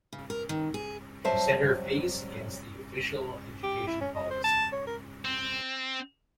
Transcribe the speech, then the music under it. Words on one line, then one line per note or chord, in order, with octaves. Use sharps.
She set her face against the official education policy.
C#3
A#4
D#3
G#4
F#3 G3 C5 E5 A5
G4
E4
C#4
D#5
C5
A5
C#5
A#4
C4